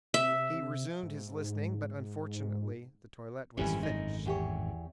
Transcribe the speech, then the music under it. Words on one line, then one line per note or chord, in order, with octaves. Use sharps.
He resumed his listening, but unfortunately the toilet was finished.
C3 E5
G#2
G#1 F#2 A2 E3 G3 C#4
D#4
E2 G4 C#5